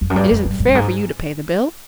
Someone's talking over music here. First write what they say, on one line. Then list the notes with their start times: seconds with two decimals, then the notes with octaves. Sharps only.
It isn't fair for you to pay the bill.
0.01 F2
0.10 F#2
0.16 G2
0.31 F#2
0.46 G2
0.60 G#2
0.68 G2
0.75 G#2